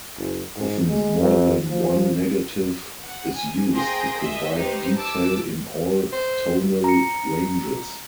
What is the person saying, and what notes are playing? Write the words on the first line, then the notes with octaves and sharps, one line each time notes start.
Often more than one negative is used to provide detail in all tonal ranges.
F#1
G#2
G#3
F2
F3
F#5
G#5
A#3 G#4 C5 G5 C6 A#6
D#5 E5 B6
D#4 G4 B4 C5
A5 D6 E6
C5
A#5 C#7